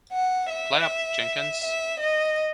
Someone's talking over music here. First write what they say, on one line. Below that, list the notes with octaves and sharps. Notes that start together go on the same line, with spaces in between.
Play up, Jenkins!
F#5
E5
E5
D#5